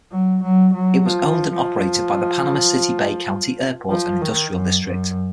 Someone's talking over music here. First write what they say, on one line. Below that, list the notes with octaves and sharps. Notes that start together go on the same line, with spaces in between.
It was owned and operated by the Panama City-Bay County Airport and Industrial District.
F#3
F#3
F#3
F3
F3
F3
D#3
F#2
F#2